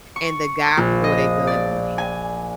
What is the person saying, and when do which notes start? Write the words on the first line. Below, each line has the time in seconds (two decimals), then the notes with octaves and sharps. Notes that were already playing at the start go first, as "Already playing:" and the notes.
and the guy pulled a gun on him,
0.16 C#6
0.77 A#1
1.04 D#5
1.47 D5
1.98 G#5